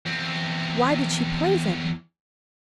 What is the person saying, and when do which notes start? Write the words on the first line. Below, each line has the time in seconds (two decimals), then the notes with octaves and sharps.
'Why did she poison?
0.06 E2 C4